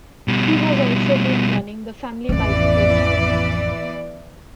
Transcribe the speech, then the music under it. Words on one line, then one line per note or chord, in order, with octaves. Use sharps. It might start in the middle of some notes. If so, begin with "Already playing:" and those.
He has also been running the family bicycle shop.
B2 G3
A1 F2 E3 B3 D5